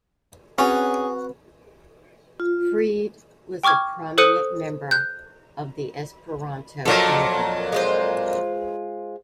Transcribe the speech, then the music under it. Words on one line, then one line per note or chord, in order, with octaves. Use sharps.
Fried was a prominent member of the Esperanto-movement.
C4 C#4 F#4 G#4 B4
F4
G5 C#6 D6 F6 G#6
A4 C5 D#6 F#6 C#7 D#7
F#6 G6
F2 A#2 F#3 A4 A#4
G#3 F4 C5